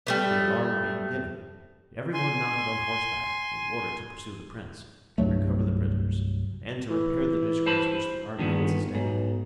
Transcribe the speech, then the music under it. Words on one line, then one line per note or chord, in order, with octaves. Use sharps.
The alarm being given, every one mounted on horseback, in order to pursue the prince, to recover the prisoners, and to repair the disgrace which the army had sustained.
G3 A3 B3
G#5 C6
C2 G2 F#3 A3
E3
C5 A5 B5
A#1 G2 D#3 B3
G1
B1 G#2